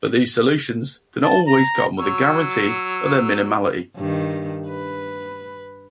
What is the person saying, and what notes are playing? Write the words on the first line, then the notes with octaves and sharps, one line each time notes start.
But these solutions do not always come with a guarantee of their minimality.
A5
A#5
F#3 C#5 E6
G2 D#3
B4